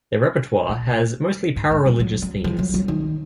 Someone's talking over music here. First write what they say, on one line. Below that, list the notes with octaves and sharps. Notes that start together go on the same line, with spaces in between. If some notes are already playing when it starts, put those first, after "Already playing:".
Their repertoire has mostly para-religious themes.
A#2
G#2
G#2
F#3
F#3
F#3
F3
F#3
F#3
D#3